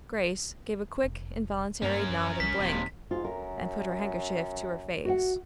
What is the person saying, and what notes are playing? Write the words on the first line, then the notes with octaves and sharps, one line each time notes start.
Grace gave a quick, involuntary nod and blink, and put her handkerchief to her face.
F1
G2 G3 A#3 C#4 A#4
F#2
C2 G3 B6
D#1 D#2 C3
G#2 F4
F#2 A#4
F#4 E5 F#5